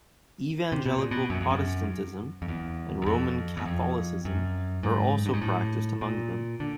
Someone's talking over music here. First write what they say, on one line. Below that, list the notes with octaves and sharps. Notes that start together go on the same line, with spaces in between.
Evangelical Protestantism and Roman Catholicism are also practiced among them.
C3
B2
A#2
B2
F#2
F2
F#2
F2
E2
E2
F2
E2
F2
F#2
G#2
G2
G#2
A2
A#2
D3